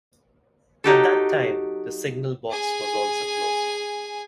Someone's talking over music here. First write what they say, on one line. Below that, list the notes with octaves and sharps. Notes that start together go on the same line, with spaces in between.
At that time the signal box was also closed.
F#3 D#4 G4 A4
G#4 G#5